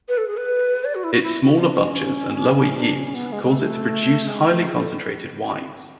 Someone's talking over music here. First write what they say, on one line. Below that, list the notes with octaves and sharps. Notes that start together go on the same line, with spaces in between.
Its smaller bunches and lower yields cause it to produce highly concentrated wines.
B4
A4
G#4
B4
D5
F#4
E4
F#4
E4
F#4
D4
C#4
D4
C#4
B3
G#3
G#3
A3
G#3
A3
G#4
A4